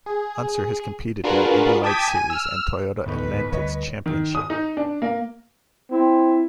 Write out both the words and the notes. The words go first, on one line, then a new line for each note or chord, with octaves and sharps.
Unser has competed in the Indy Lights series and Toyota Atlantics Championship.
G#4
D4 F4 F#4 G#4 A#4 B4
G5 A5 D6 D#6 G#6 B6
G#5 D#7
E6 F6
G1 D2 A2 D#4 B4 C#6
D2 D3 G3 C#5 D#5
D#3
D#6
D#4
D4
A#3
C4 E4